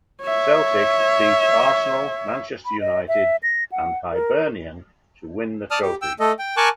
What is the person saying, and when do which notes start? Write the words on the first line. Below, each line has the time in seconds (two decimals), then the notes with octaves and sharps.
Celtic beat Arsenal, Manchester United and Hibernian to win the trophy.
0.23 C#5 E5
2.65 B5
2.81 D#5
3.08 E5
3.43 A#6
3.72 F#5
4.12 A#4
5.71 D5 A5 D#6 F6
5.82 G4
6.02 G5 E6
6.20 A3 A4 D#5
6.39 G5
6.57 A#4 G#5 A5 C#6 D6 F#6